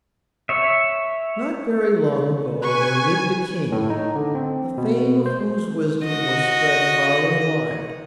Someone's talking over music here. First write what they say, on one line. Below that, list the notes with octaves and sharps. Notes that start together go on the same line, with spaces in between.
Not very long ago there lived a King, the fame of whose wisdom was spread far and wide.
C#5 E5
B4 G#5 C#6
A2
D#4
D3
C4
B2
C5
F#4 D#5